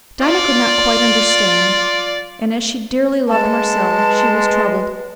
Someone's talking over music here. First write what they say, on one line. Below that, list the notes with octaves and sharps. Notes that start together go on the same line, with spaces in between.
Dinah could not quite understand and, as she dearly loved Marcella, she was troubled.
F4 D5
G#3 B4 A5